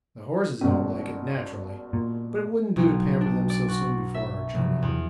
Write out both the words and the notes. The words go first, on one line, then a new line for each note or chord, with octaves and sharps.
The horses don't like it, naturally, but it wouldn't do to pamper them so soon before our journey.
G#1 G2 B2 C#4
A#2
B1
D4
D5
F#4
E5
F1
E2